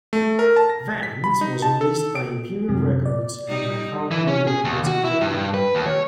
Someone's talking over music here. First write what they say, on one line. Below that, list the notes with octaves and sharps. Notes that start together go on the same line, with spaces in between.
"Vent" was released by Imperium Records and by Howling-Bull Records in Japan.
A3
A#4
A5
A#6
B6
B5
D#4
A5
A4
D7
F#2 C3
D5
G3 D#4
E3
C#4
G#4
D#2
F#4
E4
G2
B4
D#2
C#5